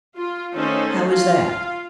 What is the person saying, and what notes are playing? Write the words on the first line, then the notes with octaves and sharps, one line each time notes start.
"How is that?"
F4
D#3 A3 C#4 D#4 A4 C5
F4 F5